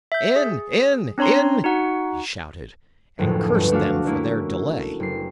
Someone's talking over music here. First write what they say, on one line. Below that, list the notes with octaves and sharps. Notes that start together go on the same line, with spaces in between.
"In, in, in!" he shouted, and cursed them for their delay.
E5 G6
G#4
C4 D4 C#5 A#5 C6
D#4 F#4 F#5
F#1 D2 A2 F3
G1
A3 D4 F#4 F5
A3 A#3 C#4 E4
F#1 C7